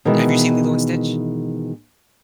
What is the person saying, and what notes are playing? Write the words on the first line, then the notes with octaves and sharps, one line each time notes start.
D Have you seen Lilo and Stitch?
B2 D#3 E3 G#3